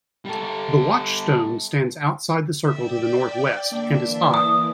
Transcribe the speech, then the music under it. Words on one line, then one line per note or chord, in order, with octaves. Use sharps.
The Watch Stone stands outside the circle to the north-west and is high.
G3 A4
D5 E5 G5
D3 A#3 D4 E5
E3 A#3
D#6